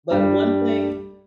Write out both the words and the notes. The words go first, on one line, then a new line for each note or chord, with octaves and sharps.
But one thing
G2 G3